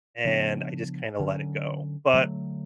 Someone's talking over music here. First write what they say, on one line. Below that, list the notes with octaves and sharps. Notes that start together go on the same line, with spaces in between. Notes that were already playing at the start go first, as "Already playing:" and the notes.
and I just kinda let it go, but,
C#3 F3 B3 D4
D3 F#3 C#4
D3 F#3 A3